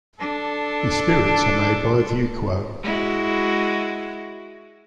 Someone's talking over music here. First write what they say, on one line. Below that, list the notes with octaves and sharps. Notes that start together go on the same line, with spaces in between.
The spirits are made by VuQo.
D4 A4
G#3 E4 F#4